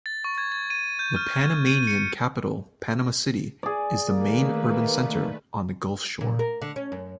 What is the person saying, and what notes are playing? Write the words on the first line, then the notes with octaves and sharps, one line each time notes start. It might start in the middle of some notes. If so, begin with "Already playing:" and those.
The Panamanian capital Panama City is the main urban centre on the gulf shore.
A6
C#6
G#6
A6
D#7
G6
F6
G#6
D#7
C#7
G#4 D5
D#3 A3 A#3 B4
A#2
A#4
D3
C#4
F#2